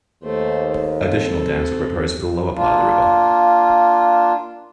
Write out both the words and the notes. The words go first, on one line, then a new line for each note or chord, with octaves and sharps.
Additional dams were proposed for the lower part of the river.
D#2 A3 C5
C4 A4
A#3 D4 F4